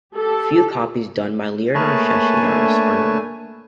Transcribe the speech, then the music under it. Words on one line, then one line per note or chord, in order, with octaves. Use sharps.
Few copies done by Leonardeschi artists are known.
G4 A4
A3 A#3 G#4 A#4 B4 C#5 G#5 A5
A3 D4